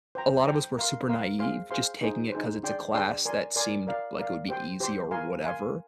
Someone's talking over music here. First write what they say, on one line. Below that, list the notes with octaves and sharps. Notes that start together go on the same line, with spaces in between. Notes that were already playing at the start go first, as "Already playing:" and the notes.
a lot of us were super naive, just taking it 'cause it's a class that seemed like it would be easy or whatever
C5 G5 A#5
C5 G5 A#5
A#4 F5 C6
A#4 F5 C6
G#4 C5 F5 C6
G#4 C5 F5 C6
D#4 G#4 C5
D#4 G#4 C5
D4 G#4 D5 G5 C6
D4 G#4 D5 G5 C6
A#4 D5 G#5 C6
A#4 D5 G#5 C6
A#4 D5 F5
A#4 D5 F5
G4 C5 G5 C6
G4 C5 G5 C6
A#4 F5 G#5 C6
A#4 F5 G#5 C6